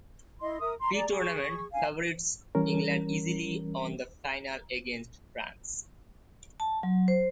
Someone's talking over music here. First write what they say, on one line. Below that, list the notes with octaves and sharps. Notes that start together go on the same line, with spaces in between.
Pre-tournament favourites England easily won the final against France.
E4 D#5 C6
A#4 E5 D#6
A#5 C6
G#4 D5 A#5
G#4 C#6
F5 G#5
E3 G3 C#4 A#4
A5
F#3
C5